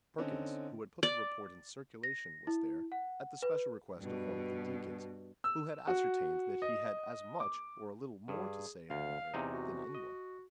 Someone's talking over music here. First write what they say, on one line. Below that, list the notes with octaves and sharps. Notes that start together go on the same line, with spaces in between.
Perkins, who had put the report in circulation, was there, at the special request of one of the deacons, who had ascertained that he had as much, or a little more to say, in the matter, than any one.
D3 C4 C#4 D#4
D5
A#6
E4
F#5
B4
G2 B2
E6
F#4
D#5
D6
G2 G#4
D2 F5
E2 C3 D#4
F#4
D#5